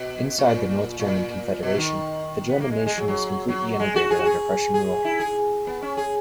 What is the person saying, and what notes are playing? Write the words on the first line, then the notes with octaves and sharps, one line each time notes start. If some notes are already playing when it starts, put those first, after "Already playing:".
Inside the North German Confederation, the German nation was completely integrated under Prussian rule.
Already playing: B2
A#2
A#2
B2
D#3
B3
A#3
G#3
G#3
F#3
F#3
F#3
G#3
F#4
G#4
F#4
G#4
G#4
E4
G#4
B3
C#4
G#4